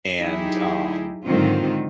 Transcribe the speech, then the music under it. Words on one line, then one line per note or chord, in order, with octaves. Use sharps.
and, um
F#3 D#4 E4 G4 G#4
G#2 D3 D#3 F#3 C4 F4